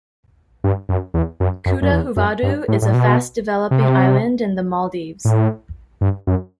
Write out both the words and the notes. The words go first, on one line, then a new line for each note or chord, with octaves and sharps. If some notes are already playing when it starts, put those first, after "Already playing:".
Kudahuvadhoo is a fast developing island in the Maldives.
G2
F#2
E2
F#2
F#2
F#2
E2
F#2
G2
A2
A2
B2
C3
A2
G2
F#2